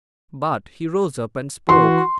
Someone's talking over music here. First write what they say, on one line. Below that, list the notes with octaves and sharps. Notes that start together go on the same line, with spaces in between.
But he rose up and spoke.
E3 F#4 C6